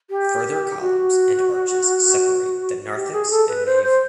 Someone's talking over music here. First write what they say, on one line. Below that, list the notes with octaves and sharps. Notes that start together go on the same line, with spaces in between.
Further columns and arches separate the narthex and nave.
G4
F#4
G4
G#4
A4
B4
C5
C5